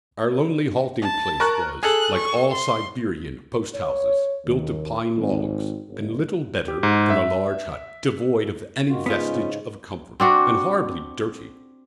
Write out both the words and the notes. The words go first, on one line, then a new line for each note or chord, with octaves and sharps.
Our lonely halting-place was, like all Siberian post-houses, built of pine logs, and little better than a large hut, devoid of any vestige of comfort, and horribly dirty.
A5
A#4 C#6 F#6
G#4 A4 F#6
C#6
C6
C#5
D#2
G#1
G1
G4
G#2
E5
D#3 F4 F#4
G#2 C#3 G#3 B3 C#4 F4
C4 D4 F#4